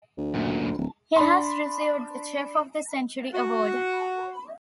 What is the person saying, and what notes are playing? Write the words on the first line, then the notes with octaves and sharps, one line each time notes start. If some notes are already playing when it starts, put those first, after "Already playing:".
He has received the "Chef of the Century" award.
D2
F#2 A#2
D1
D4 B5 C6
F#4